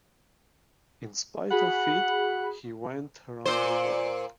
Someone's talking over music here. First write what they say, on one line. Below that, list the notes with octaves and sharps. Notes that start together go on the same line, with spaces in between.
In spite of it he went round the world.
F#4 G#4 F#5 B5
A#2 C5